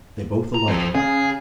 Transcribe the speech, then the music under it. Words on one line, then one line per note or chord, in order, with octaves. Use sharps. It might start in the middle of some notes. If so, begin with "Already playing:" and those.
They both alighted.
A#5
F2 C4
C#3 G#4